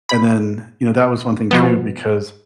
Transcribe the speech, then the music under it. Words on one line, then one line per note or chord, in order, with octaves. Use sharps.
and then, you know, that was one thing too, because,
B5
B2 F3 B3